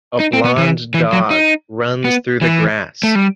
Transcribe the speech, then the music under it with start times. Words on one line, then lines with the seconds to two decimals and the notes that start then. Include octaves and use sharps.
A blond dog runs through the grass.
0.20 D#4
0.33 C4
0.45 B3
0.58 E3
0.94 E3
1.13 F#3
1.31 D#4
2.04 B3
2.41 E3
3.03 A3
3.15 G3